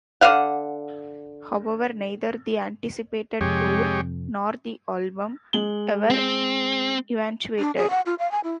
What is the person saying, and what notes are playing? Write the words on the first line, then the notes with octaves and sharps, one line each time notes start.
However, neither the anticipated tour, nor the album, ever eventuated.
D3 D#5 F5 F#5
F2 C3 G#3 G4 C#5
G#3 F#7 G7
C4
D4
G#4
F#5
F4
F5
G#5
E4